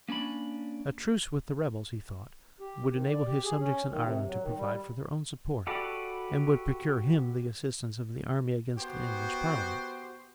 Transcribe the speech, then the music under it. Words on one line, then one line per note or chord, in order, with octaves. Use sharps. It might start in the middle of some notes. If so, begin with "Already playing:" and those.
A truce with the rebels, he thought, would enable his subjects in Ireland to provide for their own support, and would procure him the assistance of the army against the English parliament.
A#3 C#4 D4 B5
G4
D#3
D5
G4
G#4
C#4
D#3
C3
F#3
D#3
G3
F#4 G4 A4 B4 D5
B3 F#4 G4 C5